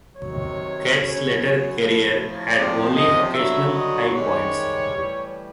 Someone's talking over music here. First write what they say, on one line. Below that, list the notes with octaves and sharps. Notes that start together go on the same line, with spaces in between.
Kert's later career had only occasional high points.
C3 D#3 F#3 C#5
F#2 C#3 F#3
A2 F3
C3 F3 D5
D#5
G2 D3 F#3 E5
D#5
G#2 D#3 G3 C#5
A2 E3 G3